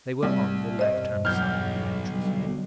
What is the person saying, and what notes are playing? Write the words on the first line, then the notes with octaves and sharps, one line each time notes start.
They were on the left-hand side of the entrance-hall.
C2
E2 G2 B2 C5 D#5
B1 F6 G6
B2 D3 G3